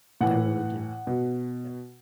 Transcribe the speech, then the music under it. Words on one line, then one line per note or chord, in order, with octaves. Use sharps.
I really do. Yeah, yeah.
A2 E3 F#5
B2